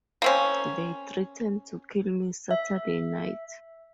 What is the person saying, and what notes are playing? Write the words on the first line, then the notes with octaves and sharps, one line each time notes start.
They threatened to kill me Saturday night.
A#3 C4 C#4
E5